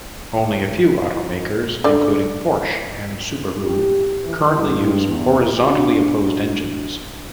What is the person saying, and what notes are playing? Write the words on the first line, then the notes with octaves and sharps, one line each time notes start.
Only a few auto makers, including Porsche and Subaru, currently use horizontally opposed engines.
D3 D5
G4
E3
G2
E2
D4 F#4